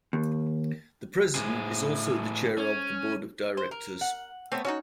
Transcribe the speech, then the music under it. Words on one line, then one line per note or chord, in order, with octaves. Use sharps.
The President is also the chair of the board of directors.
D#2
A2 G#4
C#4
C5
A#4
F#5
A3 B3 C4 C#5
C#4 D#4 F#4 C#5